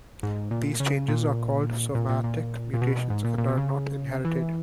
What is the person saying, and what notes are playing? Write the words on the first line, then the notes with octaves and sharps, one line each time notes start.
These changes are called somatic mutations and are not inherited.
G#2
A#2
C#3
A#2
A#2
A#2
A#2
A#2
B2
G#2
A#2
A#2
B2
C#3
E3